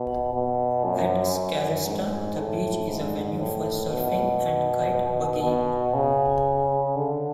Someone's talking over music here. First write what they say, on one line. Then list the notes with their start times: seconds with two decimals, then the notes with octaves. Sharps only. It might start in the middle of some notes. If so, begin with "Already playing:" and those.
At Scarista the beach is a venue for surfing and kite buggying.
Already playing: B2
0.33 B2
0.84 F#2
1.35 F#2
1.86 G#2
2.37 A2
2.88 G#2
3.39 A2
3.90 B2
5.43 B2
5.94 C#3
6.96 D3